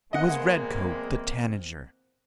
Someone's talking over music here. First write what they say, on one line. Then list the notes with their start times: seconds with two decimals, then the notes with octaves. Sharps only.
It was Redcoat the Tanager.
0.13 E2 G#3 A#3 C4 D#5 F#5